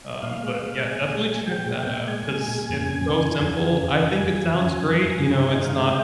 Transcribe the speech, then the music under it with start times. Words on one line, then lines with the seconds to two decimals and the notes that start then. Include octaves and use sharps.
Um, but, yeah, definitely check that out 'cause it's so simple, I think it sounds great, you know, it's not
0.22 A#2 F5
0.43 G#3
0.63 G#3
0.84 A#2 G#5
1.05 A#2
1.26 G#3
1.46 G#3 G5
1.66 A#2
1.87 A#2
2.08 G#3 G#5
2.28 G#3
2.48 A#2
2.69 F2
2.89 C#3
3.10 F2
3.30 F3
3.51 F2
3.71 C#3
3.91 F2 G#5
4.13 F3
4.34 F2
4.54 C#3
4.74 F2
4.95 F3
5.16 G2
5.35 D#3
5.50 D#5
5.56 G2
5.64 F5
5.76 G#3 G5